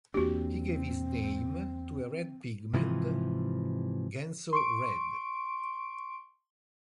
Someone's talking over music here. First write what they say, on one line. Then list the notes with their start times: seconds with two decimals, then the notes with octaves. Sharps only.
He gave his name to a red pigment "Genso red".
0.14 E2 A#3 C4 D4 F#4 G4
2.73 G#2 C3 E3 F3
4.53 C6 C#6 D7